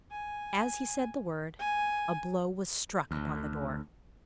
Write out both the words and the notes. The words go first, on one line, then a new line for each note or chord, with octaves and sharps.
As he said the word, a blow was struck upon the door.
G#5
G#5
D2